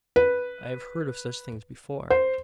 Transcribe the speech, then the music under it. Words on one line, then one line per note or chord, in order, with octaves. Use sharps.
I have heard of such things before.
B4
C5